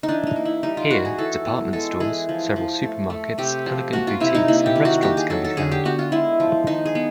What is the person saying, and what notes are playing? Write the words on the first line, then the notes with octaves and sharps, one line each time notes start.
Here department stores, several supermarkets, elegant boutiques and restaurants can be found.
D#4
E3 D4
D#4
A#3
E4
G3 D#4
F4
E3 F#4
G#4
E3 A4
B3
G#3 A4
E3 G#4
F3
F3
A3
A3
C3 G4
F3
A#3 F#4
F4
C3 E4
D#4
A#3 E4
G4
D#3
F#4
A#3 G4
G#4
F#3 A4
A4
D3 G#4
G4
B3 F#4
F4
G#3 E4
F3
D#3 D#4
G#4
B3